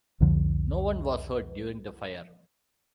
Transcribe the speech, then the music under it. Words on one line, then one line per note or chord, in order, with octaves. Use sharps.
No one was hurt during the fire.
C2 F2 D3 F3